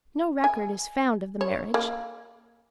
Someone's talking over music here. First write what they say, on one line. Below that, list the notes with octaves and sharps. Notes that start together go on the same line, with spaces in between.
No record is found of the marriage.
G#5
C#5
A#3